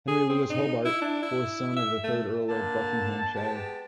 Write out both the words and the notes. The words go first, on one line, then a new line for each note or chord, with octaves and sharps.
Henry Lewis Hobart, fourth son of the third Earl of Buckinghamshire.
G#4
C4
D#4
E4
D4
E4
E5
A3
D3 A#3 A5
G#3 B3 G4